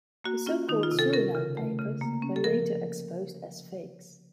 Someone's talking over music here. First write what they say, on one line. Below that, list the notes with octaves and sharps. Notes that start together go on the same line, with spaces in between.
The so-called Suriname papers were later exposed as fakes.
A#3 F#4
C#4 F4
D#3 D#4
F4
C3
A4
C#4 A#4
C#3
A3
C#3
A#3
C#4
A4
F3 A#4